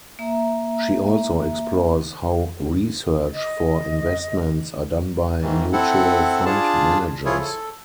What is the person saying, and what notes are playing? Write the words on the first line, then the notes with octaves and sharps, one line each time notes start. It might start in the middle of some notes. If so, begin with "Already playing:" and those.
She also explores how research for investments are done by mutual fund managers.
A#3 E5 A#5
D#5
G#2 D#3 E3
C4 E4 A4 F#5
D4 F4 G#4 A5
F3 E4 F4 G#4 C#5
A4